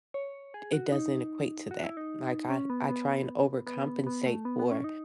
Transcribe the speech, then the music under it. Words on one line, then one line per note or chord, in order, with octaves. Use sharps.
it doesn't equate to that, like, "I I try and overcompensate for
C#5
G#4
F#4
D#4
F#4
E4
D#4
C#4
B3
B3
B3
B3
A3
B3
B3
C#4
D#4